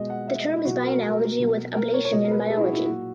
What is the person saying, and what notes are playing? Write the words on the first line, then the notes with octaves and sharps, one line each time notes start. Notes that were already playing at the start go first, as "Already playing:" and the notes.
The term is by analogy with ablation in biology.
Already playing: B2 G#3 D#5
F#5
E5
D#5
E4
B2 F#3 F#4
A#4
A#4
B2 F#3
A#4
C#5
C#5
B2 G#3 D#5
A#4
B4
G#4
E4
F#4
E4
A#2 F#3 F#4